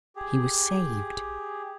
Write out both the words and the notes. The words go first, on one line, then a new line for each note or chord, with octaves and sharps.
He was saved.
G4 G#4